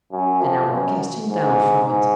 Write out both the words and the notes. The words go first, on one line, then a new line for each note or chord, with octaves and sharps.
"And I will cast him down from it."
F#2
F2
F#2
G#2
G#2